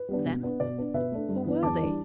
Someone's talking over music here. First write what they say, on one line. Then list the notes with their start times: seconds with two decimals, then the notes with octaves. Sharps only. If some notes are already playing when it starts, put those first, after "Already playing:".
"Them"? who were they?
Already playing: B4
0.09 G3 B3 D4
0.26 B2
0.43 B3 D4
0.60 B2 D5
0.77 B3 D4
0.94 B2 B4 E5
1.12 A3 D4
1.29 G2
1.46 E3 B3 D4
1.63 E2 A5 D6
1.81 E3 G3 D4